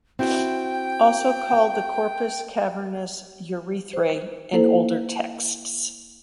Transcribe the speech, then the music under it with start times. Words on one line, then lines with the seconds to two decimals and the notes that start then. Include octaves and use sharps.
Also called the corpus cavernous urethrae in older texts.
0.19 C4 E4 F#4 G5
3.93 C5
4.52 A#3 E4 A4 C5